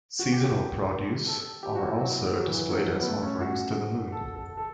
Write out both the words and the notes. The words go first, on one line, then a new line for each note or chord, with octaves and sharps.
Seasonal produce are also displayed as offerings to the moon.
F#4
G4
G4
A4
G4
F#4
E4
F#3
F#3
E3
E3
F#3
F#3
B3
A3
C#4
F#4
A4
A4
A4